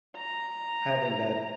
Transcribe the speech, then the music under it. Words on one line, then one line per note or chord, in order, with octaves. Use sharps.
having that
A#5